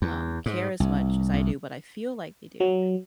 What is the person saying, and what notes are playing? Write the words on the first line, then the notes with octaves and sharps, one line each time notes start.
um, care as much as I do, but I feel like they do.
E2
G#2
C2
C2
F#3